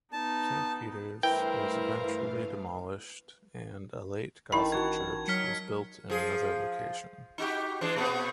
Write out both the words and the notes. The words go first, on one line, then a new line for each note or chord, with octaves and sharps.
Saint Peter's was eventually demolished and a late-Gothic church was built in another location.
B3 D#4 A5
G2 E3 A3 E4 A#4 C5 F5 G5
A1 D#3 E4 A5 B5
F#4 A5 G#6
F#3 F6 B6 C#7
F3 G#4
D#4 F#4 G4
E3 G#3 D4
A#2 B3 C4